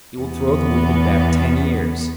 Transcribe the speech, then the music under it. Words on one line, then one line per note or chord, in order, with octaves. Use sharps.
It will throw the movement back ten years....
E2 B3